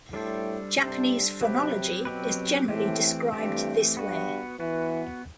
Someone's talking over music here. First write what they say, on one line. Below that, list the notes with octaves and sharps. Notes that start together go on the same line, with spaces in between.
Japanese phonology is generally described this way.
A2 G3 D4 A4 C5
C3 G3 D4 A4 C5
C3 F#3 C4 G4 B4
B2 F#3 C4 G4 B4
A2 E3 A3 C4 G4
G2 E3 A3 C4 G4
G2 B3 F#4 B4
E3 B3 F#4 B4